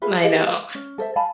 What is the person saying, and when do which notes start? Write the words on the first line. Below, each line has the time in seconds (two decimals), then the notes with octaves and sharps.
I know.
0.02 F4 G#4 B4 E5
0.23 G4 G#4 D#5 F5
0.47 F5
0.75 C#4
0.98 A4 C5 E5
1.16 F5 G#5 A5 B5